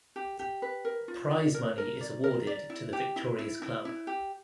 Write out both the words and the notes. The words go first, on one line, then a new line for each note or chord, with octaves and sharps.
Prize money is awarded to the victorious club.
G4
G4
B4
A#4
F4
D5
A#4
A#4
D5
A#4
D5
E4
G4
E4
E4
E4
E4
G4